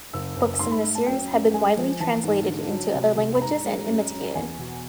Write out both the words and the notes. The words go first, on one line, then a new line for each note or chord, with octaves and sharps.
Books in the series have been widely translated into other languages and imitated.
F#1 E6
F#1
G#2 C6
B5
A3
A5
F#2 G5
F#2
G#3 G#5
F3
E3 A5
G#2
D3
F#3
C2
C2
B5
G#2 A#5
G#3
F#2
F#2
E2 G#5
B2